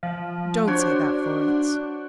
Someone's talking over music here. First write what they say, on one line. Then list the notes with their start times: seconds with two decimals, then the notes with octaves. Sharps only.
"Don't say that, Florence."
0.03 F3
0.67 D4 F#4 C5 C#5
1.48 F#5